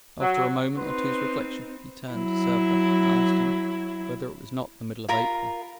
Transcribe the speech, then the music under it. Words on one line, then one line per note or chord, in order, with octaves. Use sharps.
After a moment or two's reflection, he turned to Servadac and asked him whether it was not the middle of April.
F#3
C4 D#4 B4 C6
F#3 E4
F4 A#4 A#5 B5